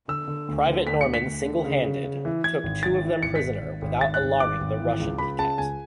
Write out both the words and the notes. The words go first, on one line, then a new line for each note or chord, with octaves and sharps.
Private Norman single-handed, took two of them prisoner without alarming the Russian picquet.
D3 E6
D3
D2
D3
D2 B6
C#7
D2
B6
D2
D3
C#3
C#3
C#3
E3
E3 G#6
G#1
G#1 A6
E3
G#1 C#7
B6
G#1
G#1
G#1
G#1 A6
F#6
G#1
G#1 D6
G#1
E3
C#2
C#2 B5
C#3 A5
C#2 G#5